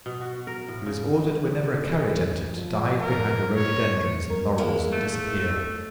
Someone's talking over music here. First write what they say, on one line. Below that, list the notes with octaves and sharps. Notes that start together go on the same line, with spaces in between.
He was ordered whenever a carriage entered to dive behind the rhododendrons and laurels and disappear.
B2
F#4
A#4
A2
C#3
F3
A#4
C#5
A#4
G#3 A#3 E4
A3